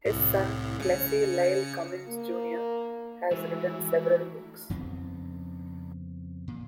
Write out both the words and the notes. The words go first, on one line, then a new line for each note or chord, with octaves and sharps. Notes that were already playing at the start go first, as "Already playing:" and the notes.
His son, Clessie Lyle Cummins Junior, has written several books.
C2 A2
C#3 C#7
A#3
E3 G#3 A3 F#4
F2 C#3 B3 C4
A#2